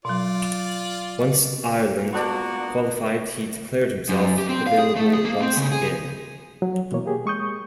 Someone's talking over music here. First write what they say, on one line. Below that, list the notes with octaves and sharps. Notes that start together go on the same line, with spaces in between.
Once Ireland qualified he declared himself available once again.
B2 F#3 F4 D5
A#3 B3 D4 F4 F#4 D5
F#2
G4
C4
F5
G#4
A3
G#4
A#3
C4
C#3
G#4
F#3
B2 E3 A#3 C#5
A#3 G4 G#4
G#3 C#6 D#6 G6